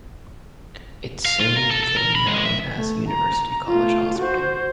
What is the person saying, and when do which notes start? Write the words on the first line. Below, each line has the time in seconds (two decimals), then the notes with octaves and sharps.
It soon became known as University College Hospital.
1.25 F5
1.40 F4
1.56 A#4
1.71 A4
1.83 A4
1.97 A#4
2.15 B5
2.27 G#3
2.46 E5
2.78 A3
3.08 A#5
3.68 A3 F4
4.18 F#4 C5